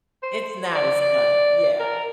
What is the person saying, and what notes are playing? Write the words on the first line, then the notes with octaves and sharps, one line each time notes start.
It's not as fun, yeah,
C5
D5
D5
A#4